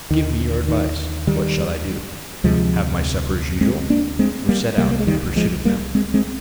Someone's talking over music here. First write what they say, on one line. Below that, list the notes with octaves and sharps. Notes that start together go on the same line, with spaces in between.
'Give me your advice; what shall I do--have my supper as usual, or set out in pursuit of them?'
D#2 D3 D#3
D#3
D#3 G3
D2 C3 F3 G#3
G#3 C4
A#3 D4
G#3 C4
G3 A#3
C2 C3 G3 A#3
A#3
G#3
D#3 G3
F3 G#3
G3 A#3
G#3 C4
G#3 C4